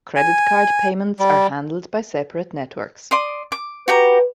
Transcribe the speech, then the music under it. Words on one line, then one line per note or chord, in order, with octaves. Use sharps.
Credit card payments are handled by separate networks.
G#5
G3
D5 C6 D#6
D6
F#4 G4 B4 A#5